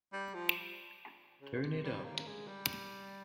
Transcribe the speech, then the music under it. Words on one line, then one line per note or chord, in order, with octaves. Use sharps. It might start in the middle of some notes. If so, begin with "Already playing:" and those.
Turn it up!
G3
F3
C#3
C3
G3
A#3
G#3
G3